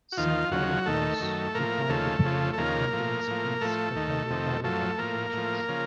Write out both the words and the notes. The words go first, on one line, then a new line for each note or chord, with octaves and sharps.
Some patent laws require the payment of maintenance fees for pending patent applications.
F#4
D#2 D#3 F3 F4
D#2 C#3 F3 F#3 F#4
D#2 D#3 A3 A4
F#2 D#3
A2 F3 A#3 A#4
D#2 C#3 F3 A3 A4
F2 C#3 F3
A4
D#2 C#3 F3 A#3 A#4
A2 F3
A2 F3
A2 F3 A3 A4
D#2 D#3
F2 C3 D#3
F#2 F3 A3 A4
A2 F3 A#3 A#4
A2 F3
C#3 F3